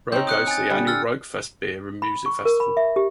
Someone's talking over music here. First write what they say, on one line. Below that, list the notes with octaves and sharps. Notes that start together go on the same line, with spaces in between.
Roke hosts the annual Rokefest Beer and Music Festival.
C4 C#4 D#4 G6
D#6 F#6 C#7
G#5 A6
D3 G3
E6 F6 A6
B5
C#6
A#4
B5
E5
G4